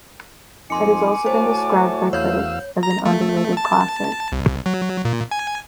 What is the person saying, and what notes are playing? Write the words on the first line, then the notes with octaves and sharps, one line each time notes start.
It has also been described by critics as an "underrated classic".
F2 A#2 F3 D#4 G#5 C6 D6 C#7
A3 E4 F#4 C5 C#5 A5
E2 C#5 F5 E6 G6
A#5
A3
A5
C2
F#3
A#2
G#5